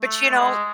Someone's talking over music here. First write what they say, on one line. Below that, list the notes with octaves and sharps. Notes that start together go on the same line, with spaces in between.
But you know,
A3
G#3